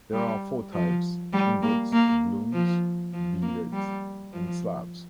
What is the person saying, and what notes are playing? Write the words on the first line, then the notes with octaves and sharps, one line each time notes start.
There are four types: "ingots", "blooms", "billets", and "slabs".
G3
F3
G3
A#3
A#3
F3
F3
A#3
G3
F3